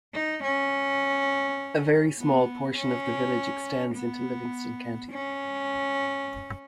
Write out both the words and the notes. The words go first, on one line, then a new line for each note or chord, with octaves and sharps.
A very small portion of the village extends into Livingston County.
D#4
C#4
B3
C#4
B3
C#4